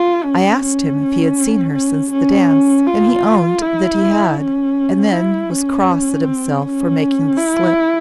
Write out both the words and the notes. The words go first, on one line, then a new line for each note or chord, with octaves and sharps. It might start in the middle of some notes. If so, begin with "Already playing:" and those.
I asked him if he had seen her since the dance and he owned that he had--and then was cross at himself for making the slip.
Already playing: F4
C#4
C#4
C#4
C#4
F4
E4
C#4
E4
C#4
C4
C#4
E4